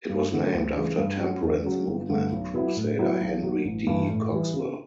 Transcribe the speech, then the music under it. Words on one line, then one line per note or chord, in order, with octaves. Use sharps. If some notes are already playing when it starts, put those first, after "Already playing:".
It was named after temperance movement crusader Henry D. Cogswell.
G2
D3 A3
D2
C#3 E3 G3
G2
F#3 C#4 F#4
E2
C#3 F#3 C#4
G1
G2 D3 A3
B1
B2 F#3 B3 E4
A2
F#3 B3 E4 G4
B1
B2 F#3
A1
G2 E3
A2
E3 G3
C#3